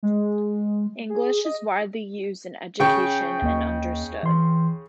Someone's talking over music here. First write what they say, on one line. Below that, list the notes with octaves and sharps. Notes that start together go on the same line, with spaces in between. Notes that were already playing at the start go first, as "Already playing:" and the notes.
English is widely used in education and understood.
G#3
G#4
D#5
C#3 G5 C#6
D#2 A#3 D#5
E3 C6